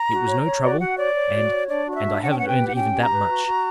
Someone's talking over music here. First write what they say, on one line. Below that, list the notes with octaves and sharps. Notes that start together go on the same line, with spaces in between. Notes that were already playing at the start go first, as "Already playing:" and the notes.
'It was no trouble, and--and I haven't earned even that much.'
Already playing: A#5
F#4
C#5
C#5
F#4 D5
F#4 F#5
C#5 D5
C#5
F#4
C#5
D4 D5
F#4 D5
E5
D4
C#4 F#5
G5
B4 F#5
G5
G4
F#5
C#4 G5
G4
A#5
B4
F#4
F#4